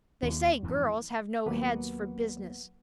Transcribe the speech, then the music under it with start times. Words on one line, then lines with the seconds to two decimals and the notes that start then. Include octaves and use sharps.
They say girls have no heads for business.
0.22 D#2
0.63 F2 G#2 E3
1.46 D#2 F#3 A#3 B3 B4 F#5